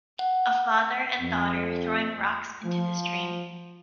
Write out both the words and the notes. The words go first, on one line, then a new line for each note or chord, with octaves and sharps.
A father and daughter throwing rocks into the stream.
F#5
F2
F3